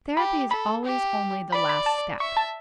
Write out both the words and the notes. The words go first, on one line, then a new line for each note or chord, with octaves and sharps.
Therapy is always only the last step.
G4 B5
A4 B5
G4
D5 B5
B5
A5
E5 C#6
A5